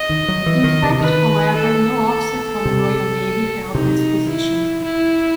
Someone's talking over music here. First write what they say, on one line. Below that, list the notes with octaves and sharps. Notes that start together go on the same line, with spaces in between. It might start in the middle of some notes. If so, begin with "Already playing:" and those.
In fact, however, no officer from the Royal Navy held this position.
Already playing: D#5
D#3
F#3
E3
D#3
C3
D#3 B4
A4
A4
C3
C3 D#4
E4
E4